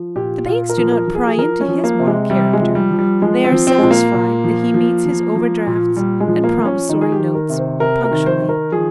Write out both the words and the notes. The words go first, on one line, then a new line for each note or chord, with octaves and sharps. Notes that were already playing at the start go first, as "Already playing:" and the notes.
The banks do not pry into his moral character: they are satisfied that he meets his overdrafts and promissory notes punctually.
Already playing: F3
A#2 G4
A#2 F4
A#4
F3
A#4
F3
G#4
G#4
F3 A#4
C#4
F3
A#3
C3
G#3
C3 G3
G#3
F3
G3
F3
G3
F3 G#3
C4
F3
C4
A#2 G#3
A#3
A#2
F3
F3
F3
F3
A#2
A#2 G3
G#3
F3
A#3
F3
C#4
D#3 D#4
G#4
G4
D#3
A#4
C3
C5
C3 A#4
A#4
D#3
C5
D#3
A#4
F3 G#4